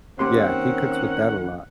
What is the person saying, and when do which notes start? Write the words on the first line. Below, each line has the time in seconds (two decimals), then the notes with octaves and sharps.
yeah, he cooks with that a lot.
0.19 D#3 A#3 C4 C#4 G4 F#5 C6